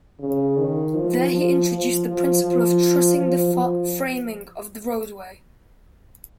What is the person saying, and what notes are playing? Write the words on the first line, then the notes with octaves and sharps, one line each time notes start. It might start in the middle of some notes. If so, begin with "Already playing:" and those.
There he introduced the principle of trussing the framing of the roadway.
C#3
D#3
F3
F3
F3
F3
F3
F3
F3